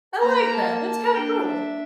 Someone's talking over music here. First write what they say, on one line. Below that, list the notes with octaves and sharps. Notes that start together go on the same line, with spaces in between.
I like that, that's kinda cool.
A#3 A#5
A5
A5
D4 G5
E5